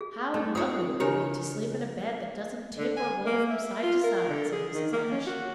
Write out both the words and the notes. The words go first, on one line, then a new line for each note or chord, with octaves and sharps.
"How lovely it will be to sleep in a bed that doesn't tip or roll from side to side!" said Mrs. Ashe.
G#4
A3 D#4 G#4
C4 F4 C#5 D#6
C#3 D4 G4 A#4 C#5
D3
G#5
A#3
E5
F4
A#4
D3
G#4
D#3
A#3
C#4
F#4